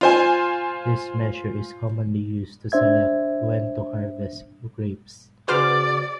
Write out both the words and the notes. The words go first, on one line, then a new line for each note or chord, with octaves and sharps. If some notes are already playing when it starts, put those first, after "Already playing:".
This measure is commonly used to select when to harvest grapes.
F4 C5 G#5
D4 C5 E5 G#6
C#3 F#4 G#4 B4 C5 D5 F6